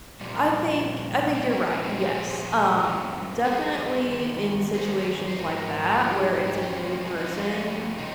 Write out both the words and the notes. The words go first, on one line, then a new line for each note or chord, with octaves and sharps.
I think I think you're right, yes, um, definitely in situations like that where it's a new person
A#2 F3 G3
A#3
C4
A#2 F3 A#3 C#4
A#3 C#4
C4 D#4
G#4 C5
G#4 C5
G2 F3
G#4 C5
G2 D#3
G#4 C5
C5
G#2 F3 A#4 C#5
F4
D#4 G4
A#4
G#4
G4
G2 F3 C#4 F4
A#3 C#4
G#3 C4
C4 D#4
C#4 F4
C3 C4 D#4